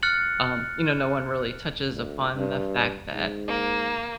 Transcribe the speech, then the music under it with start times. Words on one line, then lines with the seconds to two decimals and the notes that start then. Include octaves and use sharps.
um, you know, no one really touches upon the fact that,
0.03 F6 F#6 A6 C#7 F#7
1.95 D2
2.35 G2
3.12 G#2
3.48 A#3